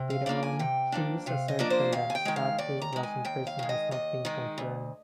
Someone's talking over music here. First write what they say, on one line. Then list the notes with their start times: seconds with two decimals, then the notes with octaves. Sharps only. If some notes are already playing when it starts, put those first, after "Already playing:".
Pironti's assertion that Sarti was in prison has not been confirmed.
Already playing: C3
0.10 F5
0.26 F3 A#3 D4 F5
0.43 G#5
0.59 C3 G5
0.92 F3 A#3 D4
1.26 C3 F5
1.48 D#5
1.59 F3 A#3 D4
1.70 C5
1.93 D#2 F5
2.10 G#5
2.15 G5
2.25 D#3 G#3
2.36 F5
2.58 D#2 D5
2.82 A#5
2.93 D#3 G#3
3.03 G#5
3.25 D#2 G5
3.47 F5
3.59 D#3 G#3
3.69 D#5
3.91 D#2 D#5
4.25 D#3 G#3
4.58 D2